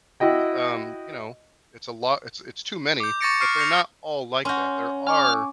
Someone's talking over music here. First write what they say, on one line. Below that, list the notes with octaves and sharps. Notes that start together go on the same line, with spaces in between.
y um, you know, it's a lot it's it's too many, but they're not all like that. There are
E4 F#4 D#5 G5
D6 G6
C#6 D6 A6 A#6 C#7 D7
C#6 F6 C7 D7
C#6 G6 A#6 C7 C#7 F7
C#4 F#4 C6 F6 G6
G#5 C#6 D6 F6